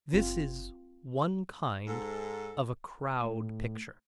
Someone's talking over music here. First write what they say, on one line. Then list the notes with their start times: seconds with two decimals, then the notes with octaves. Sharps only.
This is one kind of a Crowd Picture.
0.13 F#1 C4 F4
1.87 G#2 A4
3.22 A2